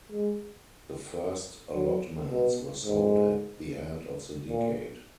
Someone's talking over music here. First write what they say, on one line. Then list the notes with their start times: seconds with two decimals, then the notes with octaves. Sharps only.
The first allotments were sold at the end of the decade.
0.11 G#3
1.75 F#3
2.30 B2
2.84 G#2
4.49 A#2